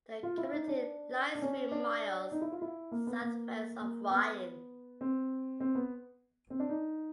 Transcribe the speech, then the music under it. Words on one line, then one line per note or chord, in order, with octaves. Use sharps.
The community lies three miles southwest of Ryan.
F4
E4
D#4
D4
D4
C#4
D4
D#4
E4
F4
E4
A#3
B3
A#3
A#3
B3
C4
C4
B3
C4
D4
D#4